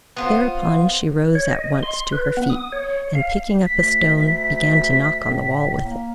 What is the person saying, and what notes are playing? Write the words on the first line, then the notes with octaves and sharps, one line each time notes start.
Thereupon, she rose at once to her feet, and picking up a stone, began to knock on the wall with it.
B3 F4 C5
C#5
D#5
C6
B4
B3
D#6
C#5
F5
D2 B6
A2
A#3